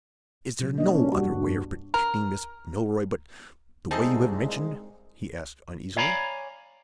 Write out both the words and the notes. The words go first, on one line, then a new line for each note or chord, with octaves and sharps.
"Is there no other way of protecting Miss Milroy but the way you have mentioned?" he asked, uneasily.
B2 F#3
A#3 D4 D#5
C#4
G3 F#4
G2
A#4
C2 G#3 C4 D#4 G#4 D#5 E5 A5
C#5 D5 F5 G#5 A#5 B5